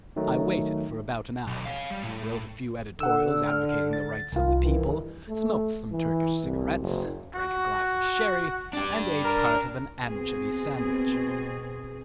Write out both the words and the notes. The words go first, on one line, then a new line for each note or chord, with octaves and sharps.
I waited for about an hour, wrote a few editorials advocating the rights of the people, smoked some Turkish cigarettes, drank a glass of sherry, and ate part of an anchovy sandwich.
D#3 F#3 A3 D#4
B1
C#5 F5
G3
A2
D3 A4 F#5 E6
F6
A6
C2 D#3 F4
G2 D#3 E3
A3
E3
C2
F#1
F#4
D4 G4
A#4
B2 C4 G#4